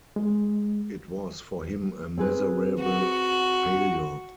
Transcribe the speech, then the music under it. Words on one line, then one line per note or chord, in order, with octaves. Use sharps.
It was for him a miserable failure.
G#3
C4 G#4 B4
F#4